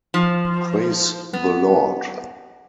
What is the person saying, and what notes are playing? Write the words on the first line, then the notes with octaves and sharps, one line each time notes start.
Praise the Lord!
F3
B3